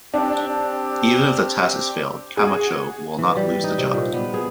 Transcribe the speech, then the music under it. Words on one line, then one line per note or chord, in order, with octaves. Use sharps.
Even if the task is failed, Camacho will not lose the job.
C4 D4 G4
F#4 G#4
E3
G3
D#4
C3
A#2
B3
G#4